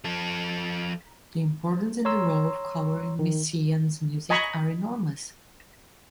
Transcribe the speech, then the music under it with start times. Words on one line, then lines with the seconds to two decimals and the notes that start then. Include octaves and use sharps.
The importance and the role of color in Messiaen’s music are enormous.
0.04 F3 A4
2.05 C#5 A#5 C6 E6
3.19 D#3
4.30 D#5 G#5 A#5 B5 C#6